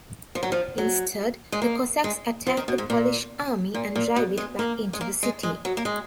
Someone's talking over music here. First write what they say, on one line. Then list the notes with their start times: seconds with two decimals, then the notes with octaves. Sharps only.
Instead, the Cossacks attack the Polish army and drive it back into the city.
0.35 F3
0.43 F#3
0.52 F3
0.78 F#3
1.52 G#3
1.62 A#3
2.04 G#3
2.47 F3
2.57 D#3
2.68 B2
2.78 G#2
2.90 A#2
3.75 A#2
3.96 A#2
4.16 B2
4.37 G#3
4.59 A#3
4.93 G#3
5.01 A#3
5.23 G#3
5.43 G#3
5.65 F#3
5.77 A#3
5.85 G#3